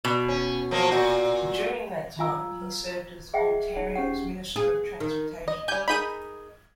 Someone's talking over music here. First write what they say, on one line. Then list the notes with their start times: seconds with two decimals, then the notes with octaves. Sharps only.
During that time, he served as Ontario's Minister of Transportation.
0.05 B2
0.28 C#4
0.71 F3 F#3 A#3
0.91 A#2 F#4
2.19 F4 F5 G#5 A#5 E6
2.62 B4
3.34 G#4 D#5 E5 F#5 G5
3.76 D#4 F#5
3.96 C#4 G4 F#5
4.56 G#4
5.00 D#3
5.48 D#5
5.68 G3 G4 G#5 G6
5.88 D#4 G#4 A#4 B5 G6 D#7